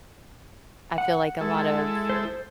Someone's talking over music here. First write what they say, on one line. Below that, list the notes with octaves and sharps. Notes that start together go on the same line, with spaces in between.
I feel like, a lot of
F#5
G#3 E4 A4
C5